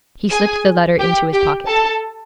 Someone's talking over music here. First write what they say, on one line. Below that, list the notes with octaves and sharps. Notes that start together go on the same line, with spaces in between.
He slipped the letter into his pocket.
G#4 G#5
G4 G5
G4 G5
A4 A5